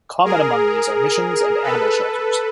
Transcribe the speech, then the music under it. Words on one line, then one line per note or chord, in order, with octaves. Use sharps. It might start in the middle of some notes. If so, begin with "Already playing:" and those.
Common among these are missions and animal shelters.
G#4 A#4
A4 B4